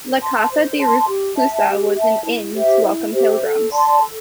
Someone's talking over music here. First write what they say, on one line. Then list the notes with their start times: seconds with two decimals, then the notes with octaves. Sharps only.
La Casa de Reclusa was an inn to welcome pilgrims.
0.20 A5 C6
0.50 C5
0.79 A5 C6
1.08 G4
1.37 E5 A5
1.67 G4
1.96 E5 A5
2.25 E4
2.54 G4 C5 E5
2.84 E4
3.13 G4 C5 E5
3.42 A4
3.72 D5 A5 C6
4.00 A4